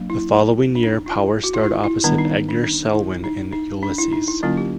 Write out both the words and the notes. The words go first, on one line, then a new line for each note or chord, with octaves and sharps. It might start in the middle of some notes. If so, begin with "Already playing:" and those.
The following year Power starred opposite Edgar Selwyn in "Ulysses".
Already playing: F#3 A#3 D4
E4
D4
D#4
F4
E4
F#4
E4
F4
E4
D#3 G3 B3 D4
D#4
D4
D#4
E4
D#4
D#4
D4
E4
D#4
E4
D3 F#3 A#3 C#4 F4
G4